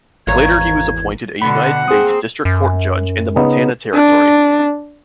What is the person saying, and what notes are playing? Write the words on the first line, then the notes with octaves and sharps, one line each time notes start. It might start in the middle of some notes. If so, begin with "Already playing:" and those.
Later he was appointed a United States District Court judge in the Montana Territory.
G#1 E2 C#5 F5 A#5 G#6
B2 D3 F#5 B5
A#3 C4 G#4 D#6
F#2
C#3 B3 D#4
D4